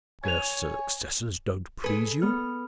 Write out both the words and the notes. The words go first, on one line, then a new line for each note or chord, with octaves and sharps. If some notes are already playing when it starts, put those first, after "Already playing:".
"Their successors don't please you?"
C#5 G#5 G#6 D#7 F7
G#4 A4 B4
B3 F6